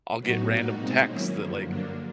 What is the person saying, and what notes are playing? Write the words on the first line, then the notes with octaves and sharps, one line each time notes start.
I'll get random texts that like,
A2 F#3 B3 D#4 F#4
A#2 G3 A#3 D#4 F#4
B2 G#3 C4 D#4
D#3 F#3 A#3 C#4 E4
F#2 D3 F3
G2 D3 F#3 A#3 D4